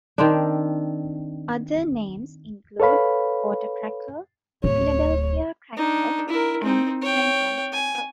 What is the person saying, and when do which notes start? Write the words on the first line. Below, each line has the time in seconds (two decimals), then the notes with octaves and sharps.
Other names include "water cracker," "Philadelphia cracker," and "Trenton cracker".
0.18 D#3 C4 D4
2.80 A4 B4 C#5 F5 B5
4.64 D1 C#5
5.77 D4 D#4
6.29 E4 A#4
6.63 C4 D#4
7.02 C#5 G5
7.72 G#5